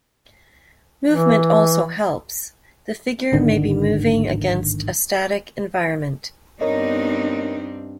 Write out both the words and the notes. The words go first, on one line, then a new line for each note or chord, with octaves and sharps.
Movement also helps; the figure may be moving against a static environment.
E3
D1 G#1 D3 D#3
G2 B3 C4 D4 D#4 A#4 C#5 D#5